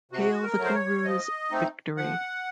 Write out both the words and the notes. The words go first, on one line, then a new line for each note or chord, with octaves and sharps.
Hail the Guru's victory!
C3 F#4
A#4
F#3 A3
C5
C#5
F3 D#5
A3 C4 D#4
F3 F#5